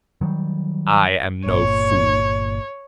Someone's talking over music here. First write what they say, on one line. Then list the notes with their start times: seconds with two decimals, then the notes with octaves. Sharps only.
I am no fool.
0.21 D#3 F#3 G3
1.46 G1 A#2 C#5